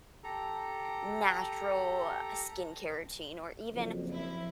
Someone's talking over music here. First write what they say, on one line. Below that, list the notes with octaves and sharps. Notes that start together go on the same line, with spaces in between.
natural skincare routine or even
G4 A4 A#5
F#1 F2
F3 E4